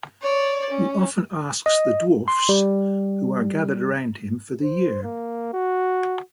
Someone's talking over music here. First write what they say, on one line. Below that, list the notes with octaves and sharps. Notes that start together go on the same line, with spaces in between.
He often asks the dwarfs who are gathered around him for the year.
C#5 D5
C#4
D#5
C6
G3
C5
A#3
F#4